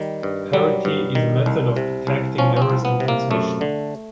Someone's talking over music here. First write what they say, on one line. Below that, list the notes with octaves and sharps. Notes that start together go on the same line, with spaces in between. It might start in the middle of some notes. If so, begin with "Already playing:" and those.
Parity is a method of detecting errors in transmission.
Already playing: D#3 G3
G2
F#3 G3
G2
D#3
C2
C3
C2
F3 C#4
C#4
C4
C2
B3
C3
A#3
F#2 A3
D3